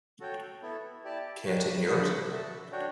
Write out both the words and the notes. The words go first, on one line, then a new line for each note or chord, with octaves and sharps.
Care to hear it?
F#4 A4 C#5 G5
B3 E4 A4
E4 G4 D5 A5
D4 G4 C#5
D4 F#4 B4 F#5 A5
F#4 A4 E5 A5
D4 F#4 C#5 G5